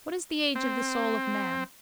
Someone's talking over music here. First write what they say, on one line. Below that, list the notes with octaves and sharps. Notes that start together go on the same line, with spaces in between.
What is the age of the soul of man?
C4